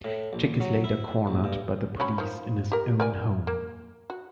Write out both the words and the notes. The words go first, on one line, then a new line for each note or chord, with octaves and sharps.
Chick is later cornered by the police in his own home.
A2
A#1
F#3
E4
A#1
G2
F#3 C#4 B5
D#3 F3
G4 A#4
A#4 D5 G#5
A#3
F#4